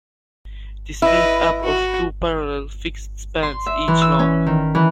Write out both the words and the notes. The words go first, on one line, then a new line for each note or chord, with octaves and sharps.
It is made up of two parallel fixed spans, each long.
E4 B4 D#5
F#4
C6
E5
E3
E6
C#4
D#3
E3